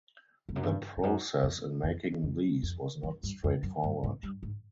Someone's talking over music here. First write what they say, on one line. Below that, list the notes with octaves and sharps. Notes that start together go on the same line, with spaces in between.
The process in making these was not straight forward.
F2
F#2
G2
F2
F#2
F2
F2
F2
F2
F#2
G2
F2
F#2
G2
G#2
G2
G#2